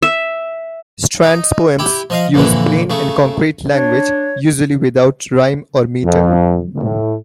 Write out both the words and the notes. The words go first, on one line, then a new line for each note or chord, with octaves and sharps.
Strand's poems use plain and concrete language, usually without rhyme or meter.
E5
D#4
E4 G4
F3 D#5 F5
F2 A#2 D3 E3
C#3 A3
D4 C#5
F2
A2